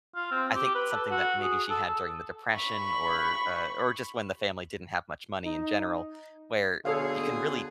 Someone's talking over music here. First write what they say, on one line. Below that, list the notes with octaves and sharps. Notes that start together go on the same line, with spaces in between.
I think, something that maybe she had during the depression or, uh, or just when the family didn't have much money in general, where you can really,
F4
C4
G4
B4
A4
F#4
G#4
A4
B5 C#6
D#4
B2 D3 G#4 A4 C#5 F5